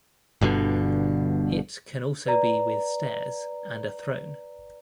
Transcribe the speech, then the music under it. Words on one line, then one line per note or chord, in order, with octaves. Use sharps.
It can also be with stairs and a throne.
G1 G2 B2 D3
B4 D5 A#5